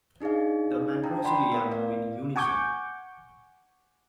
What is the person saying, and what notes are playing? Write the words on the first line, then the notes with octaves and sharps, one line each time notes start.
The macrocilia move in unison.
D4 D#4 G#4 D5 F5
D4 G5 A5 A#5
D5 F#5 G5 B5 C6
B3 A#4
B3 D5 F5
F#5 G#5 C#6 D6 G6